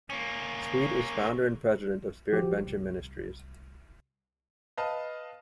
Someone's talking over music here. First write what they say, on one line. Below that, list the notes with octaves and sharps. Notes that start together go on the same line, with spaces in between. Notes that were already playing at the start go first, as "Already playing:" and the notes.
Sweet is founder and President of "SpiritVenture Ministries".
A#3 C#4
F3 F#4 G4
C2
B4 D#5 F5 A5